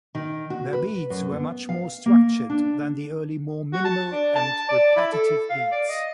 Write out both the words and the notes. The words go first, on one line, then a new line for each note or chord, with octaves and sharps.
Their beats were much more structured than the early more minimal and repetitive beats.
D#3
F#4
B4
F#2
B3
F5
A#3
D4
F#4
A5
D4
A5
D5
E4
A4
F5
D5
D#5